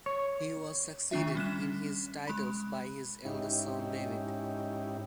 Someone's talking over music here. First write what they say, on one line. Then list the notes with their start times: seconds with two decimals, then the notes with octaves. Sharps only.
He was succeeded in his titles by his eldest son David.
0.06 C#5
1.11 D#3 A3 D4 F4 E5
1.35 G3 C#4 F#6 E7
2.27 G#3 B5
3.25 G#2 C#4 D#4 E4 G4